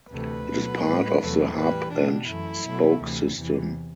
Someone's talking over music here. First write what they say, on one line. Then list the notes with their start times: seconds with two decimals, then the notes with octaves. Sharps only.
It is part of the hub-and-spoke system.
0.12 D2 C3 E3 A3 B4
0.48 B2 F#3 A3
0.83 A2 G3
1.20 E2 C3 F#3 A3
1.55 A2 E3 G3 B4
1.91 B2 G3 D4
2.27 F#2 E3 A3 E4
2.64 B2 F#3 A3
2.99 D2 C3 E3
3.34 E2 C3 E3